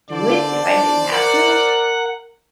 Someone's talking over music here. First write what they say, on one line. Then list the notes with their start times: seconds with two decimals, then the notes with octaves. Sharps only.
do it if I didn't have to,
0.10 D3 C5 D5
0.64 D4
1.12 A#4 F#5